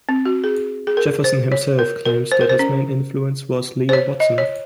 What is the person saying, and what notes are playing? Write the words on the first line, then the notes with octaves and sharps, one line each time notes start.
Jefferson himself claims that his main influence was Leo Watson.
C4
F#4
G#4
G#4
A#4
C5
C#5
A#4
A#4
C5
A#4
C5
C#4
C5
C#5
D#5
C#5